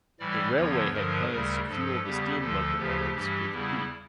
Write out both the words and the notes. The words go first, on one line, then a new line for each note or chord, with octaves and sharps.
The railway had plans to fuel the steam locomotives with peat.
A2 E3 G3 D5
E2 D3 F3 C#5
G2 D3 F3 A#4
D2 C#3 G3
G2 F3 A4
E2 C#3 G3 G4
D2 D3 F3 A4
D2 C#3 F3 G4
G2 E3 G3 G4
E2 C#3 G3 E4